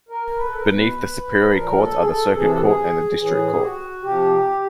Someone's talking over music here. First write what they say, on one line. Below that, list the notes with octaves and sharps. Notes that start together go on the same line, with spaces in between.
Beneath the superior courts are the Circuit Court and the District Court.
A#4
B4
A4
A#4
B2 B4
A#2 F3 A#4
A4
G#4
A4
C3 E3 G#4
A4
G#4
A2 E3 G#4
G4
F#4
C3 F3 G4